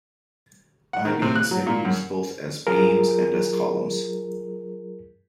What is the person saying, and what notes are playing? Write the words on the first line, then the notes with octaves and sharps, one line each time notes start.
I-beams may be used both as beams and as columns.
F#5
D#3
C3
F#6
F#3
A#2
F#2
F#3 F4 G#4 A#4